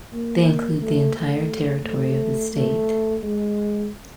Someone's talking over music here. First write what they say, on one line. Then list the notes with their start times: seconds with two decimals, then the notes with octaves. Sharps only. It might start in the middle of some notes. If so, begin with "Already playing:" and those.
They include the entire territory of the state.
0.13 A#3
0.81 A3
1.15 A3
1.84 A3
2.54 A3
3.23 G#3